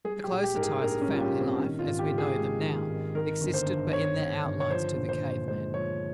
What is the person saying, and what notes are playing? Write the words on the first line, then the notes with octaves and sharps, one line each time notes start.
The closer ties of family life, as we know them now, existed but in their outlines to the cave man.
G3 G#4
G4
A#1
G4
G#2 A#4
G#4
A#1 A#4
C#4
G3
F4
G4
A#1
C4
D#3 C#4
F4
G#1
G4
G#2
G#4
G#3
D#3
G#1
D#3 A#4
G1
C5
G2
G1 C#5
D#3
G1
C#5
F3 C5
A#1
C5
A#2
G#3 C5
F3 C#5